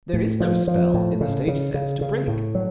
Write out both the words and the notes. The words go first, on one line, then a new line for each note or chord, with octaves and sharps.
There is no spell, in the stage sense, to break.
A2
F3
F3
A2
C#3
C#3
C#3
C#3
A2
F#3